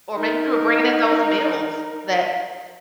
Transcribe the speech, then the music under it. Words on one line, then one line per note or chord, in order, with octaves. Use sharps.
Or maybe if you were bringing in those meals that
D#4 A#4